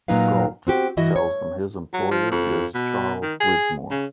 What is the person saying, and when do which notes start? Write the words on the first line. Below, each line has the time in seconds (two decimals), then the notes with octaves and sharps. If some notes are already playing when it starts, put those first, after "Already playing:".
Gault tells them his employer is Charles Widmore.
0.08 A#2 F#3 A#3 D#4 B4 F5
0.67 C4 F#4 G4
0.97 G2 E3 E4 F#4 D#5 E5
1.16 C#5
1.93 F#3
2.11 F3
2.31 F2
2.75 B2
3.22 D#3
3.41 G#4
3.91 C#3